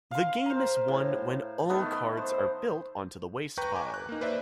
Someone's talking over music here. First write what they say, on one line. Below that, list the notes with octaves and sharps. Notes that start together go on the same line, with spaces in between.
The game is won when all cards are built onto the waste pile.
F5 C6
A#4 C5
A2
D#3 A3 B3
C5
B4 G5 A#5 C#6 G6
G#5 A#5 D6
F#6
A#3 D#4
B4 C5 D5 E5